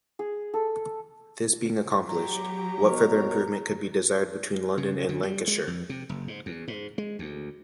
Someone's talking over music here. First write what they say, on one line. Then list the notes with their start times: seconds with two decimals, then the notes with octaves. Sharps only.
This being accomplished, what further improvement could be desired between London and Lancashire?
0.19 G#4
0.54 A4
2.08 F#3 G4 A#5
2.86 B2 A#4 C#5
4.78 C#3
5.09 D3
5.23 G3
5.48 G#3
5.67 F2
5.89 C3
6.09 F#1
6.28 G#2
6.46 E2
6.68 G#2
6.98 G#3
7.19 D2